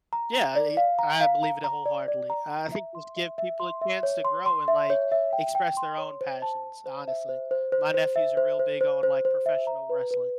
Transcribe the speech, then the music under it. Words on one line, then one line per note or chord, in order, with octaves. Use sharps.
Yeah. I e I believe it a wholeheartedly. Uh, I think just give people a chance to grow and, like, express their own passions, honestly. My nephew's a real big on, like, professional wrestling.
A#5
A#5
D5
F5
A#5
F5
A#5
A#5
D5
D5
A#5
A#5
E5
C6
E5
E5
C6
E5
C#5
C6
C6
E5
C#5
E5
G5
G5
C6
C#5
C5
A5
A5
C5
E5
C5
C5
C5
C5
E5
C5
C5
C5
C5
C5
E5
A#5
B4
B4